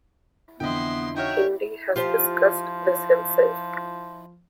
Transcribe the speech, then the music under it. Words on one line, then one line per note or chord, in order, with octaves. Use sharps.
Hindy has discussed this himself.
F2 D3 E3 B3 E4 D#5 G5 C6
D#4 F#4 C#5 E5 G5 F6
F3 F4 G4 C5